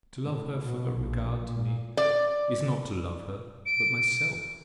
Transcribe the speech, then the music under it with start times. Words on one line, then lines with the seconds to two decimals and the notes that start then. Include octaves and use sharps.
To love her for her regard to me, is not to love her, but myself.
0.24 A2
0.63 B2
0.99 A#1
1.42 A#2
1.97 D5
3.66 D7